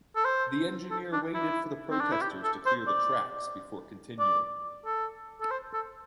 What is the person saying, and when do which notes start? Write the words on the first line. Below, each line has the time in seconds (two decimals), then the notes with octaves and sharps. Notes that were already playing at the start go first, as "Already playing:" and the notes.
The engineer waited for the protesters to clear the tracks before continuing.
0.16 A4
0.24 C5
0.90 A4
1.13 D4
1.34 E4
1.91 C4
2.00 D4
2.12 E4
2.21 G4
2.44 A4
2.66 C5
2.87 D5
4.19 D5
4.85 A4
5.41 A4
5.51 C5
5.73 A4